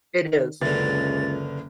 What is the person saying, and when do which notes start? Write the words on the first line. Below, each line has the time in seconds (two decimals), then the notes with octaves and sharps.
It is.
0.22 D#3
0.62 F#1 C#2 D3 E3 A6